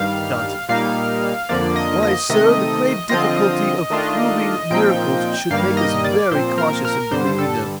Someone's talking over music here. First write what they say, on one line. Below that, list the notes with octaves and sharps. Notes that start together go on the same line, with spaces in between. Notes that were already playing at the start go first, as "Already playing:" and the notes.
JOHNSON. 'Why, Sir, the great difficulty of proving miracles should make us very cautious in believing them.
Already playing: G2 D#3 G3 F5
A#2 G3 A#3 D#4 F5
F2 D3 F3 A#3 D5
D#5
D#5
C3 D#3 A3 D#5
D3 F3 C4 F4 D#5
D#3 A3 D4 F4
A#2 F3 C4 D#4 G5
G2 D#3 G3 A#3 F5
D#5
D5
A#2 F3 C4 C5
A#4
A#4
G2 D3 G3 C5
A4